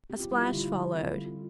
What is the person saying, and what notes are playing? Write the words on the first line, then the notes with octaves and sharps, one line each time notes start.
A splash followed.
C4 G4
F4
G3 E4
F4
D3
D3
C4
G3
F4